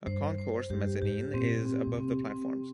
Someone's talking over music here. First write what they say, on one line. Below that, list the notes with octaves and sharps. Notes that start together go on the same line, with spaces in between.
A concourse mezzanine is above the platforms.
G2 C5
C5
G2 G4
G#2 G4
A#2 C4
C4
A#2
C3 C4
C4